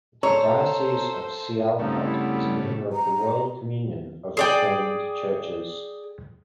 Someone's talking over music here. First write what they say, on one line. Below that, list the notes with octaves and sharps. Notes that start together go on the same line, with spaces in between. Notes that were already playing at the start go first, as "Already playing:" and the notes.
The Diocese of Sialkot is a member of the World Communion of Reformed Churches.
A4 C5 C#5 A#5
G2 C#3 F3 A3 B3 C4 D#4
G3 B3 E4
A#5
G#4 D5 G5